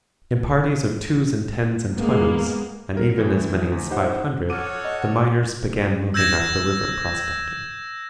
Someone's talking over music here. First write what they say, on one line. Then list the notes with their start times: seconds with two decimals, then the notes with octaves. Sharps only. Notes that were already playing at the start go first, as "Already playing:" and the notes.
In parties of twos and tens and twenties, and even as many as five hundred, the miners began moving up the river prospecting.
1.95 G#3 A#3 B3
2.97 A#4
3.18 A2 E3 A3
3.72 D2
3.90 D#4 G4 C5 F#5
4.50 F#4 A4 C#5 F#5 D6 F6 D#7
4.84 D#5
6.14 E6 G6 G#6 A#6 E7